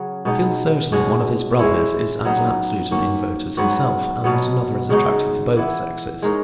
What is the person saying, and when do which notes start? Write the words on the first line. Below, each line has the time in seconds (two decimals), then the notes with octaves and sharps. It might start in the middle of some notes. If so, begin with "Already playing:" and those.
He feels certain that one of his brothers is as absolute an invert as himself and that another is attracted to both sexes.
Already playing: C#3 F#3 C#4 G#4
0.25 B2 G#3 B3 D#4
0.92 B2 G#3 C#4 F#4
1.59 G#3 C#4 E4
2.25 F#3 B3 D#4
2.91 D#3 A#3 C#4 F#4
3.57 G#2 F#3 B3 F#4
4.24 B2 F#3 B3
4.90 C#3 G#3 D#4 F#4
5.57 E3 B3 E4
6.22 G#3 D#4 A#4 C#5